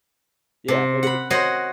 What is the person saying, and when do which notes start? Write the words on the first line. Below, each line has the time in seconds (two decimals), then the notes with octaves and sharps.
Yeah, it is
0.68 C3
1.03 F#5 B5
1.30 F#4 C5 C#5 D#5 F#5